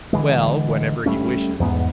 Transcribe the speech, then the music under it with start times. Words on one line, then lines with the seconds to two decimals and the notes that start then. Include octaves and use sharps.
"Well, whenever he wishes?"
0.13 D3 E3 G#3
1.06 G3 A3 C#4
1.60 E2 G#2 B3